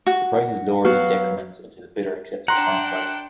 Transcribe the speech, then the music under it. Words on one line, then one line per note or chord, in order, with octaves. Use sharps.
The price is lowered in decrements until a bidder accepts the current price.
F#4
F#3 B3 F#4 F5
D4 F#5 G5 A#5 C6